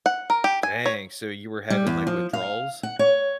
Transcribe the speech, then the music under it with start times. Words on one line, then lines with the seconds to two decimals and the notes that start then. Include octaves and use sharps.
Dang. So, you were having, like, withdrawals?
0.06 F#5
0.30 A#4
0.44 G4
0.63 G#5
0.86 C#5
1.70 G3
1.87 E2
2.07 F3
2.33 F5
2.83 F#5
2.99 C#5